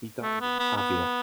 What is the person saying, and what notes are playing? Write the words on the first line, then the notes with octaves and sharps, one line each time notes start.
He died in Pavia.
A3
B3
B3
B3